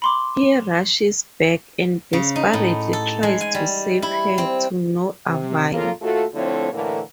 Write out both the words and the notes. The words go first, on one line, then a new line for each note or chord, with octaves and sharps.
He rushes back and desperately tries to save her, to no avail.
B5 C6 D6
C#3
D#4
A2
A4
G#3
G#5
G3
E4
C4
C3
F2 C#3 A#3 F4 A4 A#4
D#2 A3 F4 F#4 A4
D3 F3 A3 C4 E4 C#5
A2 D3 E3 A3 A#3